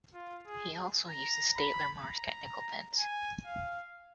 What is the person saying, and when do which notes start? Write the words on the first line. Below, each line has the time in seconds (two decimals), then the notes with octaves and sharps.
He also uses Staedtler Mars technical pens.
0.14 F4
0.46 G#4
1.09 A#5
1.57 B5
2.04 A#5
2.98 G#5
3.46 F5